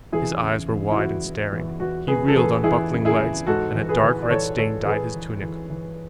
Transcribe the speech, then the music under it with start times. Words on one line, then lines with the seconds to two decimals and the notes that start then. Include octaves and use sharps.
His eyes were wide and staring; he reeled on buckling legs, and a dark red stain dyed his tunic.
0.12 E2 E4 G#4
0.41 C#3
0.69 E2
0.92 E4
0.97 E2 F#4
1.25 E2
1.52 E2
1.80 E2 F#4
2.07 C#3 G#4 B4
2.28 A4
2.36 E2 G#4 B4
2.64 E2 E4 G#4
2.91 C#3
3.05 E4 G#4
3.19 E2
3.47 G#2 F#4 A4
3.75 E3
3.89 G#4 B4
4.03 E3
4.22 D5
4.30 E3 A4 C#5
4.58 E3 A4 C#5
4.86 E3 G#4 B4
5.14 E3
5.42 E3
5.70 E3